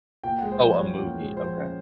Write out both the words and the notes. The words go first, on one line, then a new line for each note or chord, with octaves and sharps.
Oh, a movie, okay.
A#2 G5
G#3 F#5
C5
F3
C#5
C#4 C#5
A#2
G#3
F3 C5
C#4